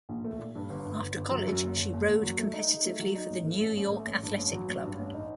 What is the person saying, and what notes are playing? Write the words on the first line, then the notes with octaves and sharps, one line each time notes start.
After college she rowed competitively for the New York Athletic Club.
A#1
A3
A#2
G2
G1
G1
G1
G1
F#3
F#2
F#1
F#1
F#1
F#1
F#3
A3
D#4
D#4
A3
F#3
D#4
A1
A3
A1
A1
A3
A1
G2
A1
F#3
A1
G2
A1
D#4